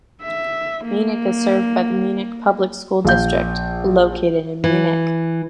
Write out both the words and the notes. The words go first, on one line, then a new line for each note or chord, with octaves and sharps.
Munich is served by the Munich Public School District, located in Munich.
E5
A#3
A#1 F5 G6
E3